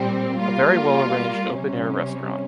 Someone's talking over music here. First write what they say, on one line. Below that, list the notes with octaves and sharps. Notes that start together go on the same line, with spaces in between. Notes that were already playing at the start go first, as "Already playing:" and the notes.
A very well arranged open air restaurant.
Already playing: A#2 G3 C4
G3 A#3 F4
C3 G3 C#4